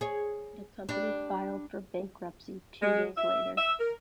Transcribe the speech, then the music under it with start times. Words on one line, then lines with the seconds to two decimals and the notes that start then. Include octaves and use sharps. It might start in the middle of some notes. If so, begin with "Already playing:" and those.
The company filed for bankruptcy two days later.
0.01 G#4 C#5
0.89 G3 D4
2.81 G#3
3.17 E5
3.57 E5
3.80 A#4